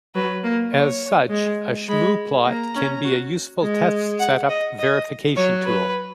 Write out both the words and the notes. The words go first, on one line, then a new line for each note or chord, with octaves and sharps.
As such, a shmoo plot can be a useful test setup verification tool.
F#3 B4
A#3
C#5
G#3
G#3 B5
A#3 A#5
C#4
F#4
G#3
F#5
D#5
D#5
F#3 C#5
B4